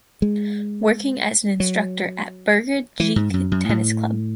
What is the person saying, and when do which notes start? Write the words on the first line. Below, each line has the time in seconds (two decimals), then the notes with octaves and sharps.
Working as an instructor at Burger Dijk Tennis Club.
0.22 G#3
1.60 F#3
3.00 E3
3.16 G#2
3.34 F#2
3.52 F#2
3.69 A2